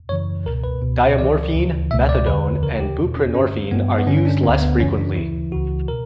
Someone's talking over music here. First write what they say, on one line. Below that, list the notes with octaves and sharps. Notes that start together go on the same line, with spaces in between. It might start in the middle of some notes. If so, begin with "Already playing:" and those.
Diamorphine, methadone and buprenorphine are used less frequently.
F#2 C#3 E3 C#5
C#2 B2 A#4
B4
C#2 B2
C#2 C#3 E3 D5
D2 C#3 E3
C#2 B2 E5
D5
E2 D3 B4
D2 C#3 E3 A#4
G4
E2 B2
C#4
G2 D3 C#4
G2 E3 B3
B3
G2 D3 C#4
C#4
D4
D2 D3 B3
B3
F#2 C#3 E3 C#4
D4
D2 C#3 E3 E4
C#2 C#3 E3 F#4
B2 A#4